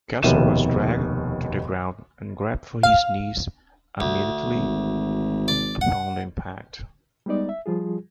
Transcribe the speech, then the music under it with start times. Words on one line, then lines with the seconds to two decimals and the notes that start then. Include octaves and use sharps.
Cassel was dragged to the ground and grabbed for his knee immediately upon impact.
0.23 F1 D#2 B2 E5 D#7 E7
2.83 F5
4.00 D2
4.55 G#1
5.48 D5
5.81 F#5
7.26 G3 G#3 B3 D#4 D5
7.49 E5
7.66 F3 G3 F4 G#4